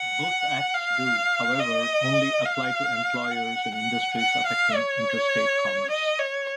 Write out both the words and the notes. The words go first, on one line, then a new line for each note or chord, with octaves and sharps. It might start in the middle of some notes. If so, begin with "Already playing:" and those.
Both acts do, however, only apply to employers in industries affecting interstate commerce.
Already playing: F#5
F5
D#5
F5
F#5
F#5
F#5
F5
C#5
D#5
C#5